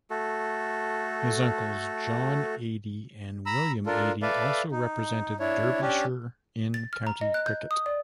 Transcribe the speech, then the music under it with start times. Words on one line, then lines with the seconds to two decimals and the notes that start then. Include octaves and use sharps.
His uncles John Eadie and William Eadie also represented Derbyshire in County Cricket.
0.10 A3 F#4 A4
3.46 A#5 B5 E6
3.86 D4 F4 A4 A#4
4.22 A4 B4 D5 E5 F5
4.71 D#4
5.39 D4 E4 C#5
5.81 C#4 D4 G4
6.74 A6
6.93 F6
7.07 A#5
7.21 D#5
7.34 F#6
7.46 G6
7.71 D#6
7.86 D5